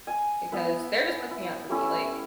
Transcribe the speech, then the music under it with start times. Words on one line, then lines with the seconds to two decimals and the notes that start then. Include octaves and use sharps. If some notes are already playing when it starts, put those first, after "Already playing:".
because they're just looking out for me. Like,
0.07 G#5 A5
0.52 B3 E4 B4
1.31 E4
1.69 G3 A3 C#4 E4